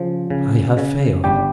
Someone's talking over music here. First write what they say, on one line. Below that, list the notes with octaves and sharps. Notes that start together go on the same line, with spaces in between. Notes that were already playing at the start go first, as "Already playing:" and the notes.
I have failed.
Already playing: C#3 F3
C#3
C#3
G1 G3 G4